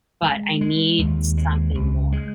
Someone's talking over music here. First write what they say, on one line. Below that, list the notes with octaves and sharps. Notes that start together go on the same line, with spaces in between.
but I need something more,
G#3
G#3
D#2
G#3
C#2
G#3